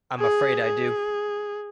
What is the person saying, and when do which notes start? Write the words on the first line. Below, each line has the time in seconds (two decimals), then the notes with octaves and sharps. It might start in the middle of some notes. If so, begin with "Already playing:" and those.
I'm afraid I do.
0.19 G#4
0.64 G#4